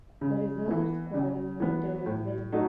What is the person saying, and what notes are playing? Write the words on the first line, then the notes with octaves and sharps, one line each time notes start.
The reserve squadron moved there as well.
C#3
E3 B3
C#3
E3 B3
A2
F#3 A3 D#4